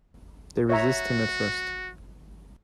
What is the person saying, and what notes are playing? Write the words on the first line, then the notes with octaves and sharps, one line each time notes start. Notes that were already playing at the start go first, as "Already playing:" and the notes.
They resist him at first.
F#4 C#5 E5 A#5